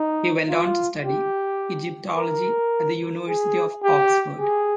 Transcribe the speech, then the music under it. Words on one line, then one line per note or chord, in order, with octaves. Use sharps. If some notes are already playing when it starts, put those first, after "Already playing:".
He went on to study Egyptology at the University of Oxford.
Already playing: D#4
F4
G4
A#4
G#4
G4
G#4